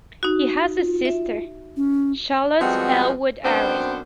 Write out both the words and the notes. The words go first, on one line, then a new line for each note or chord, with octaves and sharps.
He has a sister, Charlotte Ellwood-Aris.
D#4 F#4
F4
E5
C#4
F3 G3 G#3 B3 C4 F#4
F#2 B2 B3 C4 D4 C5